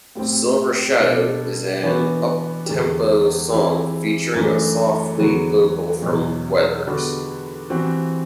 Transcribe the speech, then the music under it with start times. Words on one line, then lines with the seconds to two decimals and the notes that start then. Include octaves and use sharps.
"Silver Shadow" is an uptempo song featuring a soft lead vocal from Weathers.
0.15 A2 G3 C4
0.98 B2 G3 D4 A4
1.83 E3 B3 D4 F#4 B4
2.66 E2 D3 G3
3.50 E3 G3 C4 E4 G4
4.35 F#2 E3 A3 D4
5.18 E2 D3 F#3 B3 F#4
6.02 E2 B2 F#3
6.87 D3 G3 B3 D4 F#4
7.70 E3 G3 C4 F#4